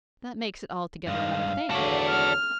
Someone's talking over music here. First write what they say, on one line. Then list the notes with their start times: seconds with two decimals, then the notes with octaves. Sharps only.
That makes it altogether another thing.
1.07 G2 G#3 F5
1.70 E2 D3 F#3 F#4 A4 C#5 D5
2.09 F6